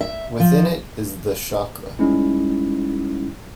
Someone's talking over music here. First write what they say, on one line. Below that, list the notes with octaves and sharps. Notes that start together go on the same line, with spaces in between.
Within it is the chakra.
E5
F3
G3 G#3 C#4 D#4 E4